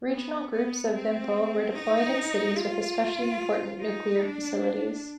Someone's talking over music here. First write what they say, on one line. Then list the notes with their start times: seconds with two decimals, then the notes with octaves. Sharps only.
Regional groups of Vympel were deployed in cities with especially important nuclear facilities.
0.11 B3
0.52 B3
0.94 C4
1.75 D#4
2.58 F4
3.81 D#4
4.22 D4